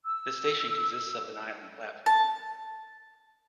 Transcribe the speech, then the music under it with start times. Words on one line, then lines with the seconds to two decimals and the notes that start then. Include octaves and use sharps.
This station consists of an island platform.
0.03 E6
2.06 A5